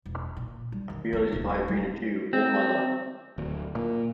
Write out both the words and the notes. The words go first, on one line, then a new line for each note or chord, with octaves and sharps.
I feel as if I have been a Jew all my life.
E1
A#2
G3
D#3
B3
D1
G3
C4
D1
A#2